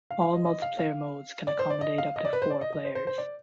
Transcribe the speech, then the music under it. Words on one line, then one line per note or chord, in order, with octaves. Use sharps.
All multiplayer modes can accommodate up to four players.
F5
F5
D#5
D#5
F5
F5
D5
C5
D5
D#5
F5
D#5
D5
B4
C5
D5
D#5
D#5
C5
C5
C5
D5